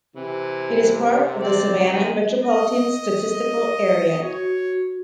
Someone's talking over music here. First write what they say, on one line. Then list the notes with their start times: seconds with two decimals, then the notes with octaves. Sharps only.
It is part of the Savannah Metropolitan Statistical Area.
0.16 C3 E3
1.40 C4 D5
1.79 D#3
2.44 D#5
4.23 F#4 C#5